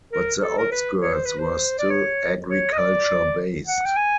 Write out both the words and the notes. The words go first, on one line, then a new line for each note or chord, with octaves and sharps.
But the outskirts were still agriculture based.
A#4
A4
A#4
B4
C#5
C5
B4
C5
D5
C#5
C#5
D#5
D5
F#5
G5
G#5